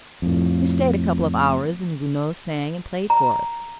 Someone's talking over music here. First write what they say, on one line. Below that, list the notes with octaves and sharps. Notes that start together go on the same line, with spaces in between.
We stayed a couple of hours, and Gounod sang and played for us.
F2 A2
A#5